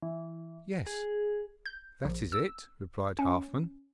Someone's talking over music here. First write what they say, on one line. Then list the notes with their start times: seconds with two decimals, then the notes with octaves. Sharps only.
'Yes, that is it,' replied Halfman.
0.02 E3
0.86 G#4
1.66 G6
2.05 A#1
2.32 E6
3.19 C#4